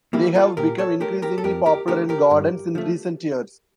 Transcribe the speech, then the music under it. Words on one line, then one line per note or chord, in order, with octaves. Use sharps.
They have become increasingly popular in gardens in recent years.
E3 G3 A#3 E4 G4
F4 A4
A#2 G4 A#4
A4 C#5
A3 G4 A#4
G4 A#4
A4
F2 G4 A#4
G4 A#4
D3 A3 G4 A#4
G4 A#4
G2
F3 A3